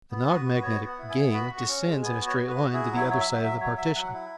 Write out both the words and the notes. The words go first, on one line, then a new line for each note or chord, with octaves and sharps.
The non-magnetic gangue descends in a straight line to the other side of the partition.
B3
F#4 B4
F#4
B4
B3 C#5
B3
F#5
E4
G#5
B3
F#4 B5
F#4
C#6
C#4
G#3
B3 G#5
F#4
C#5
F#4
B4
F#4
E4 G#4
F#3
C#5
F#3 C#5
E5
F#3
F#3 E5
F#3 C#5
F#3 E5
F#3 F#5
E4